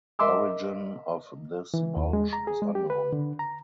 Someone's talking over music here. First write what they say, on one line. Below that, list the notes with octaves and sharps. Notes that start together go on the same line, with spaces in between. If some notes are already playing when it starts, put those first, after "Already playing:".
Origin of this bulge is unknown.
A#4 D#5 E5 C6 D6 E6
E3
D#2
G#3
A#5
G#4
G#3
G4
B4
D3
A#5